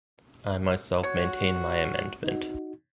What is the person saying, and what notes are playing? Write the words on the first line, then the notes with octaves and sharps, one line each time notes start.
I myself maintain my amendment.
F#4 C#5
D#4 F#4